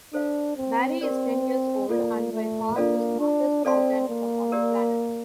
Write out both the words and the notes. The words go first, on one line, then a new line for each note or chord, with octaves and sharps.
Barry is ten years old and by far the smartest organism on the planet.
D4 A4 C5 F5
C4
C4 G4 A#4 D5
A#3 F4 A4 D5
A3
A#3 D4 F4 A4 D5 F5
D4
C4 A4 D5 F5 A5 C6
A#3
G4 A#4 D5